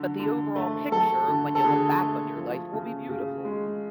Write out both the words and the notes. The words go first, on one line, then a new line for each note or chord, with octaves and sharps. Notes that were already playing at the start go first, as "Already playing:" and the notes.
but the overall picture, when you look back on your life will be beautiful.
Already playing: D3 F#3
D3
A3
F#3 A4
D3
A4
D3 G#4
A3
F3
C#3
C#3
G#3